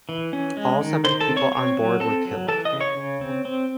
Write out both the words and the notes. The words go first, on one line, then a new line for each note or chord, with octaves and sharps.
All seven people on board were killed.
E3
C#4
G#3
D#3
D#3 C5 C6
A4 A5
C4
C#5 C#6
C4 C#5 C#6
F#3
C4 A4 A5
F#3
E3 A4 A5
D#5 D#6
C#3
C#5 C#6
C#3
C4
C4